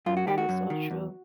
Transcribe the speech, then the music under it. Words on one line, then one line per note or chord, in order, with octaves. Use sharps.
That is so true.
F#2 F4
F#4
D#3 G4
F#4
F#2
D#3
E2